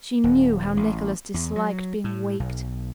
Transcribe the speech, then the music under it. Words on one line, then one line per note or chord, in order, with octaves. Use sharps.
She knew how Nicholas disliked being waked.
D#1
A1
E2
F#3
A2
B1